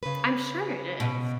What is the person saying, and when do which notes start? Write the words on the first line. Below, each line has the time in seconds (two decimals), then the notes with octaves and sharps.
I'm sure it is.
0.03 C#3 B4
1.00 B2